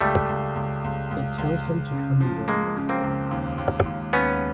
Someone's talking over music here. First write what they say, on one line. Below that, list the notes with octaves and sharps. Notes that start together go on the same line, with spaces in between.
It tells him to come and join the parliament.
C#2 G3 A3
C#2
C#2
C#2
C#2
C#2
C#2
C#3
F3
F3 G#3 A#3
C#3
A#3 C4
C#2
D#2
D#2
D#2
D#2 B3 C#4